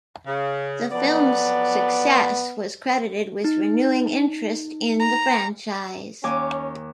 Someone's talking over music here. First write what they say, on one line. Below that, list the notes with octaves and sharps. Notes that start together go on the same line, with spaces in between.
The film's success was credited with renewing interest in the franchise.
C#3
F2 F#3 B3 D5
D#4
A#5
D#2 C#4 G#5 D6